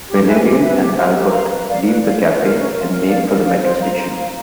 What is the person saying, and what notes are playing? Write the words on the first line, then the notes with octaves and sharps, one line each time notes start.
Valérian and Albert leave the café and make for the metro station.
G4
B4 E5 G#5
G4
B4 E5 G#5
G4
C5 F5 A#5
G4
C5 F5 A#5
B4
D5 F5
B4
D5 F5
C#4
F4 A#4
C#4
F4 A#4
A#4
D5 F5
A#4
D5 F5
C5
F5 A#5
C5
F5 A#5